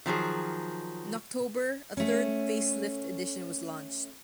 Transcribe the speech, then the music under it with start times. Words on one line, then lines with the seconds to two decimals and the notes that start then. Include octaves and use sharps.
In October, a third facelifted edition was launched.
0.06 D#3 F3 F#3 G#4
1.97 A3 C#4